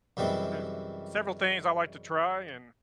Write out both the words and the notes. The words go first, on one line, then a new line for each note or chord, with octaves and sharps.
there's several things I like to try, and,
F#2 C3 E3 G3 G#3